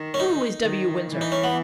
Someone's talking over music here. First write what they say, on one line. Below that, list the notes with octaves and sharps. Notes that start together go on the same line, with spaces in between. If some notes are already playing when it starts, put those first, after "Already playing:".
Who is W. Windsor?
Already playing: D#3
C#4
D#4
D#3
E3
D#4
C#4
B3